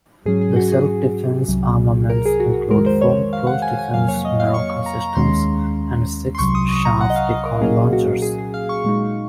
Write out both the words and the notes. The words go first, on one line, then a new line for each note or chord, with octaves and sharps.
The self-defense armament includes four close defense Meroka systems and six chaff decoy launchers.
G#2 F#3 C#4 G#4
G#4
F#4
G#4
C2 C3 F#3
A#4
G#4
F#4
F2 D#3 G#3 A#4
C5
C#5
F5
F#5
G#5
G#5
F2 C3 F#3 A#3 F5
C#5
D#5
F5
C#6
A#5
A#5
D#2 D#3 G#3 C#4 C6
C6
C2 C3 F#3 C#6
D#6
C#6
A#5
F#5
D#5
F5
D#5
A#4
A#2 F#3 A#3 C#4 G#4
F#4
G#4
G#4
F5
C#6
A#2 G#3 D#4